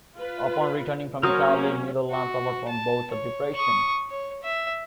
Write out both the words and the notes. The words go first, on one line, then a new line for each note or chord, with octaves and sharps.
Upon returning from Italy, Milholland suffered from bouts of depression.
F4 B4
F#3 A#3 C#4 A#4 C5 F5 C#6 D#6
F#4
A5
C#5
C#6 D#6
C#5
E5